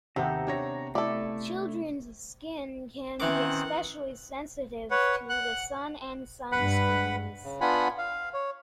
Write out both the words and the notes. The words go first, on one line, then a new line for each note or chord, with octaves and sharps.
Children's skin can be especially sensitive to the sun and sunscreens.
D#2 C3 B3 G4 A4 A#5
D4 C#5 A#6
A3 E4 A4 D5
D#3 E3 C4 C#4 F#5 D6
B4 C#5 F#5
F#5 F#6
G2 B4 F#5 B5
C#3
B3 D4 F4 F#5 G#5 B5
F5
C#5